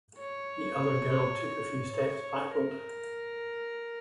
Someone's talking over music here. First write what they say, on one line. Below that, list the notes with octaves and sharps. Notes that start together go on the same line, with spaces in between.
The other girl took a few steps backward.
C#5
C#5
A#4